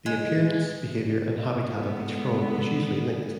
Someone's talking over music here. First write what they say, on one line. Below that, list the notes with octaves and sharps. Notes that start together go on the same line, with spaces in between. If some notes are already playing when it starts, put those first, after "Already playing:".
The appearance, behaviour, and habitat of each frog is usually linked.
G#3
G#2 D3 B3